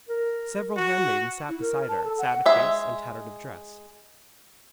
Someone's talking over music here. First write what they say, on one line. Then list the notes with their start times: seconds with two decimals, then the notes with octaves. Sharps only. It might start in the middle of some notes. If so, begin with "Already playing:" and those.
Several handmaids sat beside her, sad of face and tattered of dress.
0.09 A#4
0.77 F#4
1.49 E4
1.61 A#4
1.89 A5
2.04 A4
2.18 F#5
2.46 G#3 E5